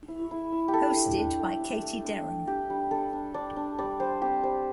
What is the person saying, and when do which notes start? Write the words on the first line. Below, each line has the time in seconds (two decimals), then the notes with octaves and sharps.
Hosted by Katie Derham.
0.08 E4
0.31 E4
0.52 E4
0.68 G4
0.73 A3 A4
0.96 A3
1.18 D4
1.39 A3
1.60 D4
1.82 A3
2.04 D4
2.26 D4
2.47 G3 G4
2.70 G3
2.91 G3 A4
3.13 D4
3.34 D4 D5
3.56 D4
3.78 G3 D5
4.00 G3 C5
4.21 C4 G4
4.43 G3 C5